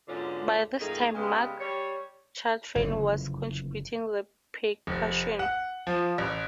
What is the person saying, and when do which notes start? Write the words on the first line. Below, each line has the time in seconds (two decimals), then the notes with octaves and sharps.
By this time Marc Chartrain was contributing the percussion.
0.08 G#2 B2 D3 C#4 D4 F4
0.80 F2 G#2 A3 D#4 G#4 A#4
1.15 C#3 G3 G#3 B3
1.60 G3 C#5
2.76 F#1 F2 D3 E3
4.87 F1
5.39 F#5
5.87 F3
6.18 A1